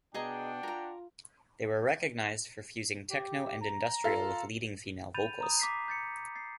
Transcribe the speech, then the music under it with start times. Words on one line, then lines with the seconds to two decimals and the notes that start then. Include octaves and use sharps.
They were recognized for fusing techno and industrial with leading female vocals.
0.14 B2 D4 G#4 D#5 F#5 G5 A#5
0.63 F4 A#4 A#5
3.11 G4
3.61 A#5
4.04 F4 A4
5.14 B5 G6 A6 D#7 F7
5.41 A#5 D#6
5.60 D6 B6 C7
5.88 G6 A6 C#7
6.36 A6 C7